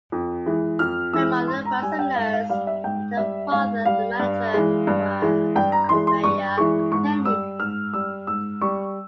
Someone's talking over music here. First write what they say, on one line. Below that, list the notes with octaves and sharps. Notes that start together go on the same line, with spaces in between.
Her mother was a nurse, and her father a manager for a conveyor company.
F2
E3 G#3
F2 F6
E3 G#3 E6
G#2 C6
A#5
G3 G#5
G5
G#2 F5
F5
G3 F5
E5
G#2 G5
G3 E5
G#2 F5
G3 F5
G2
E3 G#3
G2
E3 G#3
G2 G5
A#5
E3 G#3 C6
C6
G2 C#6
E3 G#3 C#6
G#2 C#6
G3 E6
G#2 F6
G3 E6
G#2 E6
G3 C#6